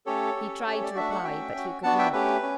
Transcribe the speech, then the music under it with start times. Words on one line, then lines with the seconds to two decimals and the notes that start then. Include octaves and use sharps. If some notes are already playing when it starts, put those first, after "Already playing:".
He tried to reply, but he could not.
0.06 A3 C#4 G4 A4 C#5
0.36 C#4 G4
0.65 A3 C#4 G4 C#5
0.83 D5
0.95 A3 D4 F#4 E5
1.11 F#5
1.24 A3 C#4 F#4 E5 G5
1.54 C#4 F#4
1.83 B3 D4 F#4 F#5 A5
1.98 E5 G5
2.13 A3 C#4 G4 B4
2.43 C#4